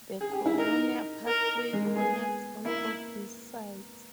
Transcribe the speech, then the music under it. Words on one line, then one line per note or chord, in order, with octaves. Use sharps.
The Colonial Parkway connects all of these sites.
G#4
G4
E4
D#4 A#4
A#4
G#3
A#3
B3 G#4
A#3 E4